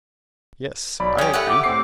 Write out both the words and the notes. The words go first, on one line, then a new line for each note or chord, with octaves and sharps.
Yes, I agree.
B1 D5 B5
C#4 G4 D#6
A3 G4 F#5
D6
A2 C4 D6 C7